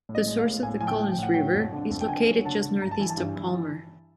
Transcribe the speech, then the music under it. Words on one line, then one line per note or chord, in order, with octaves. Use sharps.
The source of the Collins River is located just northeast of Palmer.
A2
D#5
G#3
F5
A2
A2 G#5
F3 G#5
G5
F3
G5
A2 F#5
F#3 G5
F2
D3
F2
G5
D3 G#5
F#3
D3 A5
D3
G2 A#5
A5
E3 G#5
A5
G2
E3